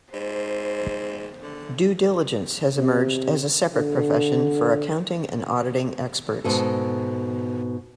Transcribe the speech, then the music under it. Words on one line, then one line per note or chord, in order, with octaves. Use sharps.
Due Diligence has emerged as a separate profession for accounting and auditing experts.
G#2 C5
D3
C3
D3
G#2 B2 A4